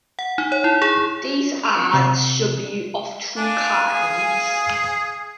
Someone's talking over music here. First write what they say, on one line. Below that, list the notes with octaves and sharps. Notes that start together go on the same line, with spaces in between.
These ards should be of two kinds.
F#5
D#4
C#5
E4
G#4
C3
D4 F5 G#5
G#4